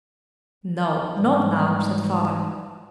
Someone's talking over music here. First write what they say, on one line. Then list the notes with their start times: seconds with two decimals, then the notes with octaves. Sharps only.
"No, not now," said Father.
1.18 G#2 E3 G3 G#3